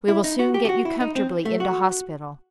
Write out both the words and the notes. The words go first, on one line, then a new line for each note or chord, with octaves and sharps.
We will soon get you comfortably into hospital.
E4
D#4
F#4
G4
G4
F#4
E4
D#4
C4
A3
F#4